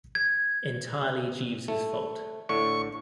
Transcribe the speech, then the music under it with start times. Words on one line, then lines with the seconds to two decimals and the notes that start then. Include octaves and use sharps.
Entirely Jeeves's fault.
0.15 G#6
1.68 A3
2.49 A2 D3 C#6